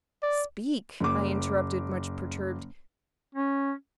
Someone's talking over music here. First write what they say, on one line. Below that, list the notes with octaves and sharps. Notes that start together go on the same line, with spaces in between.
"Speak," I interrupted, much perturbed.
D5
F#1 D6
C#4